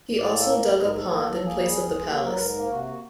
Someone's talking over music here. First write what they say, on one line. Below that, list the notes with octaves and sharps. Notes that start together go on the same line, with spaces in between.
He also dug a pond in place of the palace.
A2 D5
A#3
A4
A#2 A#4
A3
G#2 A#4
A3 A4
A#3 A4
F#3
A4
A#3 G#4
G3
E2
G#3
A#3 G4
F#3 A#4
B4
G#2 A#4
A#3
C3 F#4
A#3